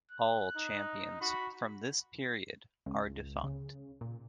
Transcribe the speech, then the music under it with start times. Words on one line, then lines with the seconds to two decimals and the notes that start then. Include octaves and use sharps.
All champions from this period are defunct.
0.11 F#6
0.56 D#4
1.21 F#4 B5
2.86 C#2
3.44 C#3
4.01 A#2